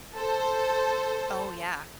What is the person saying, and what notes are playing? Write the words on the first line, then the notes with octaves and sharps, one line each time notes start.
Oh, yeah.
A4 C5